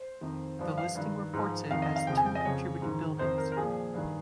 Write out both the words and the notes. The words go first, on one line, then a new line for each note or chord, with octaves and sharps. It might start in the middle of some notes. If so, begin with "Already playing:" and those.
The listing reports it as two contributing buildings.
Already playing: C5
F2 D#3
G2 F3
F5
G2 D#3
G#2 F3
F2 D#3 F5
D#5
F5
F2 C#3 F3 G5
G#5
G5
D#5
F2 C#3 F3 C#5
G#2 D#3
F2 D#3 C5
A#4
A#4
A#2 F3 G#4
G2 D#3